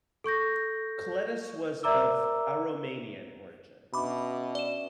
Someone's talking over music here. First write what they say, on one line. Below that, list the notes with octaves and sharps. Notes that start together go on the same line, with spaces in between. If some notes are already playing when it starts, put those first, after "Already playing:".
Kolettis was of Aromanian origin.
A4 C#6 G6 A#6
A#4 D5 E5 A#5 D6 E6
B2 C#4 D4 E5 B5 D6
D5 E7